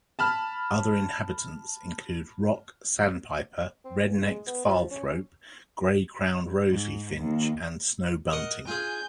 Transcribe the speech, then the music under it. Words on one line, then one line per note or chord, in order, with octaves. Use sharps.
Other inhabitants include rock sandpiper, red-necked phalarope, gray-crowned rosy finch and snow bunting.
A5 B5 F6
C4
E2
G#3
B3
F3
C#4
G#2
D#2
A#4 D#5 F#5
F4 G#4 G#5 G6